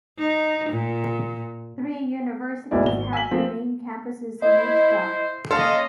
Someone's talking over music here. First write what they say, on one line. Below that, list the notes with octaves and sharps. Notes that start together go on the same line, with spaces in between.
Three universities have their main campuses in Wichita.
D#4
A#2
F#1 B1 G#3 E4 D5
G#1 G7
G#5 E6 B6 F#7
F3 A#3 C4 A4 B4
E4 C5 D#5
A#3 C#4 A4 D#5 F5 C6